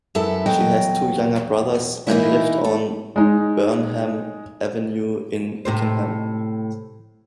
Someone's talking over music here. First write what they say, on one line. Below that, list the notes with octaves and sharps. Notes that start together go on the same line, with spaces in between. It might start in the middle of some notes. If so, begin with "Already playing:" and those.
She has two younger brothers and lived on Burnham Avenue in Ickenham.
F#2 E4 A4 B4
E2 F#3 D#5 G5
E3 A#3 D#4 E4
A4
G#3 D#4
A2 C3 C5